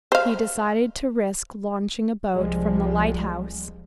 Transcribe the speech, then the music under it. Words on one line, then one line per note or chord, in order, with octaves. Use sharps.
He decided to risk launching a boat from the lighthouse.
C5 F5
C2 C3 F3 G3 G#3